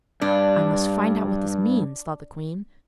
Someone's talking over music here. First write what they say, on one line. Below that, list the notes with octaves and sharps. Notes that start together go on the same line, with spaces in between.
'I must find out what this means,' thought the queen.
G2 D4